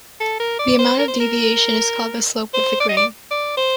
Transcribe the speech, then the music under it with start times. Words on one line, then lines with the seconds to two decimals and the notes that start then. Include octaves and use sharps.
The amount of deviation is called the slope of the grain.
0.21 A4
0.40 A#4
0.59 D5
0.79 C5
0.99 A#4
1.08 C5
1.20 A#4
2.54 C5
2.80 D5
2.89 D#5
2.97 D5
3.31 D5
3.57 C5